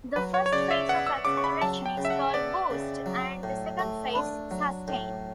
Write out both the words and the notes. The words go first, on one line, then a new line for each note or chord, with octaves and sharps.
The first phase of acceleration is called "boost" and the second phase "sustain".
F#3 B4
C#5
C#5
C#3 D5
E5
B3 F#5
E6
C#3 D6
C#6
B5
F#3 A5
G5
C#3
E5
F#5
B3 D5
C#3
F#3
A2
A3
D4
F#3
A2